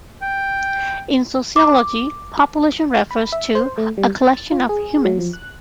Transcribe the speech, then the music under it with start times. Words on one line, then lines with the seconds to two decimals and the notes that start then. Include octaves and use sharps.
In sociology, population refers to a collection of humans.
0.22 G5
1.56 D6
3.11 B5
3.33 E5
3.55 C5
3.78 A3
3.98 G3
4.17 A6
4.52 F4
4.69 G#4
5.05 F#3
5.19 F3
5.33 F#6